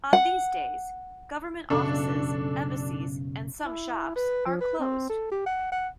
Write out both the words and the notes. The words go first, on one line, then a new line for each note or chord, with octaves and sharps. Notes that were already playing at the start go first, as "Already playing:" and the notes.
On these days, government offices, embassies and some shops, are closed.
F#5
B1 F#2 C#3 D4 A4
E4
B4
F3
B4
C4
A4
G4
F#5
F#5